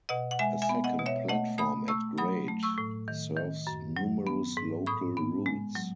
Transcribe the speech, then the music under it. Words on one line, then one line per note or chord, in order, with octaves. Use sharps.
A second platform at grade serves numerous local routes.
B2 D#5 F#5
F#5
G#3 E5 G#5
E5 G#5
B3
D#5 F#5
B2
C#5 E5
A3 D#5 F#5
A3 B5 D#6
A3 C#6 E6
F#3 B5 D#6
A3
C#6 E6
A2
D#3
D#3
F#2
F#3
B3
G#2
A2 B5 D#6
B3
G#3
F#3